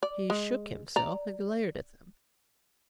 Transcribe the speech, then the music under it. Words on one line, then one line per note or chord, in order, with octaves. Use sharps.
He shook himself and glared at them.
D5
G#3
D5 A#5